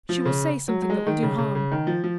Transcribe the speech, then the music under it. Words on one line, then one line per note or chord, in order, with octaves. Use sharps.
She will say something that will do harm.
F3
C#3
F#3
F#3
G#3
D#3
C#3
C#3
C#3
D#3
F3
F3